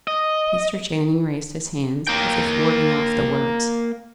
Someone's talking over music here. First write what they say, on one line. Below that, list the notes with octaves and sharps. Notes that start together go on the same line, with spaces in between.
Mr. Channing raised his hands, as if warding off the words.
D#5
A#3 G5